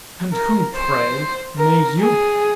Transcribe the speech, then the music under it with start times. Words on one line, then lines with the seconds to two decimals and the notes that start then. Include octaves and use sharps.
"And who, pray, may you be?"
0.33 A#4
0.75 C5
1.58 A#4
1.99 G#4